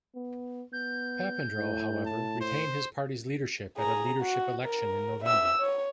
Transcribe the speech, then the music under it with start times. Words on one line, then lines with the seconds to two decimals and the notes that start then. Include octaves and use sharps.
Papandreou, however, retained his party's leadership at a leadership election in November.
0.15 B3
0.73 B3 G6
1.56 A2
2.06 A5
2.41 C5
3.78 G#4 A#5
4.21 F#4
4.65 A#4
5.25 E5 E6
5.60 C#5